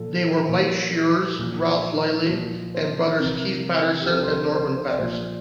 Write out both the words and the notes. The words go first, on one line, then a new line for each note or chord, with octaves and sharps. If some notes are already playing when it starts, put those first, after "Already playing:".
They were Mike Sheeres, Ralf Lilley, and brothers Keith Patterson and Norman Patterson.
Already playing: A#2 F3 A4
C5
A#2 F3 A#4
A#2 F3
A#2 F3
C5
C3 F3 A#4
G4
C3 F3 A4
C5
A#4
C5
C5
D5
A#2 F3 C5